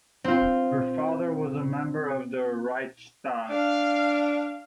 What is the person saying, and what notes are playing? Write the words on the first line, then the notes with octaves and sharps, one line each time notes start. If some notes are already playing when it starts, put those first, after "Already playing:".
Her father was a member of the Reichstag.
C4 F4
D4 F5